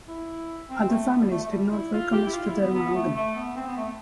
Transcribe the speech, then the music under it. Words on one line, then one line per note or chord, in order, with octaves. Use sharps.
Other families did not welcome us to their mahogany.
E4
C4
A3
B3
G3
A3
A3
G3
E4
F4
G4
E4
F4
E4
B3
B3
A3
A3
B3
C4
B3
A3